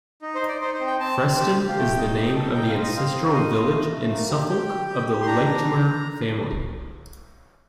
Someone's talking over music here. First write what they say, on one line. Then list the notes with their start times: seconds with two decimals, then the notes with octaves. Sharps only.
Freston is the name of the ancestral village in Suffolk of the Latymer family.
0.22 D#4
0.35 C5
0.42 D#4
0.48 D5
0.61 D#4 C5
0.74 C5
0.80 C4
0.87 G5
1.00 C4 A5
1.19 C4
1.39 G4
1.59 G4
1.69 F5
1.77 A3 G5
1.97 D#4
2.16 D#4
2.36 A4
2.54 D#4 G5
2.69 F5
2.75 C4
2.83 D#5
2.94 C4 F5
3.13 D#4
3.32 F4 D#5
3.52 F4
3.71 A3
3.90 A3
4.10 A#3
4.29 G4
4.49 G4 G5
4.68 G4
4.88 G4
5.07 G4
5.22 C6
5.27 D4 A#5
5.46 D4